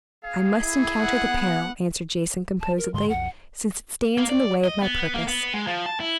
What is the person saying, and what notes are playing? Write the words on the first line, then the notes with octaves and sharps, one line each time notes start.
"I must encounter the peril," answered Jason, composedly, "since it stands in the way of my purpose."
G#4 F5
E4
F#5
B3
A5
A#4
G#2 D3 G#3 C6
B1 F2 F#5
A#3
D5
D#5
B3
A#3
B3
G#3
F3
A5
E4